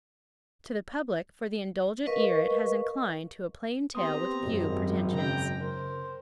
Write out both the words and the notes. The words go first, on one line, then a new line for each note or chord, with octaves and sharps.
To the Public, for the indulgent ear it has inclined to a plain tale with few pretensions.
A#4 B4 D#5 F5 C#6
B3 C4 G4 A#5 C6 D#6
G#1 F#2
C#3 G5 A#5
A#4 C5